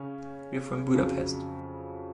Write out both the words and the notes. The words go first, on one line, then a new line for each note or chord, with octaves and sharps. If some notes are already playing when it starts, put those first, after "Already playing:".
We’re from Budapest.
Already playing: C#3 C#4
F2 C#3 F#3